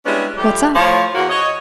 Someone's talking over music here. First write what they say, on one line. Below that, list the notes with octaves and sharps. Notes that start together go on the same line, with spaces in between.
'What's up?
G3 G#3 B3 C#4 D4 E4
F3 G3 A3 G4
A2 F3 C#5
E2 A#3 F#4
C#5 D#5